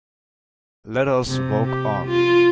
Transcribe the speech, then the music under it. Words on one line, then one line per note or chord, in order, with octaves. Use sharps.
Let us walk on.
C3
G4
F4